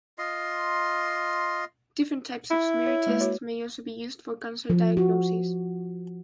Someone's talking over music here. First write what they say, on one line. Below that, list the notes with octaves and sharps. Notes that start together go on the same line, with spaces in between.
Different types of smear tests may also be used for cancer diagnosis.
F4 D#5 C6
E4 B5
C#5
G#3 A#3 B4
F#4 C#5
F3
F#4